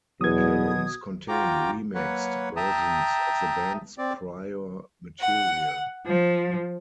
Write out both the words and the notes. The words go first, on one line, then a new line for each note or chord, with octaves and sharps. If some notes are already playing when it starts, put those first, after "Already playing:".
The albums contain remixed versions of the band's prior material.
E2 B2 F#3 D#6 G#6
F4 F#4 G5 A#5 D6
F#3 A#3 B4 C#5 F#5
E5 G5 A5 A#5 D#6
C4 D5
F#5
F3